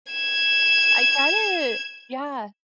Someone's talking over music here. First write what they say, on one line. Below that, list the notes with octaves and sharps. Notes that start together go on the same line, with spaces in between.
I get it. Yeah.
G#6 E7